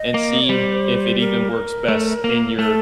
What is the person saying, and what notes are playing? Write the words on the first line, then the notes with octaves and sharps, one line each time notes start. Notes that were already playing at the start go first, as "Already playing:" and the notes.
and see if it even works best in your
Already playing: D#5
A#3
G3 C5
A#4
A3
A#3
A3 A4